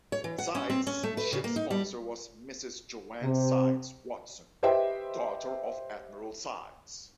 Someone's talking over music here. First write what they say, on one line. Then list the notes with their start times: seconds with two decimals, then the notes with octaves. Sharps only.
"Sides" ship sponsor was Mrs. Joanne Sides Watson, daughter of Admiral Sides.
0.12 C#5
0.24 E3
0.38 F#5
0.55 C#4
0.70 C4
0.87 C#4
1.03 A3
1.17 B4
1.33 C#3
1.44 A#3
1.56 D#4
1.71 G3
3.23 C3
4.63 G4 B4 C5 D#5 E5 G5